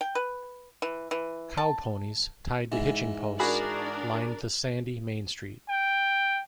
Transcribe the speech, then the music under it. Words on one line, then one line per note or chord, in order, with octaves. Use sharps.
Cow ponies, tied to hitching posts, lined the sandy Main Street.
G5
B4
E3
E3
A5
G#2 E3
D4 F#4 G#4 A#4 D5 B5
G5